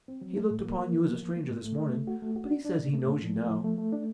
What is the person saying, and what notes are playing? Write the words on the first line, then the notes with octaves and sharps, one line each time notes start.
He looked upon you as a stranger this morning, but he says he knows you now.
C4
F#3
A3
A2
A#3
A#3
F3
A#3
F3
A#3
A2
A3
A3
A3
F#4
A3
F#4
D4
D4
A#2
A3
A#2
F3
A3
F3
A3
A3
D4